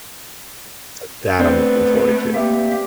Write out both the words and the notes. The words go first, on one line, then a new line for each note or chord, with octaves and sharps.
So, that I'm looking forward to.
A3 B3 C4 D4 B4 C5
A#3 G4 E5